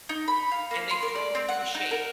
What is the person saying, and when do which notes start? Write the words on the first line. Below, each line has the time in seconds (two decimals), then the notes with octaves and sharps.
and they throw it into a shake.
0.09 D#4
0.28 B5
0.51 F5
0.71 A#3
0.91 C6
1.03 A#4
1.15 D5
1.35 C4
1.49 F#5
1.75 D#4
1.91 A#4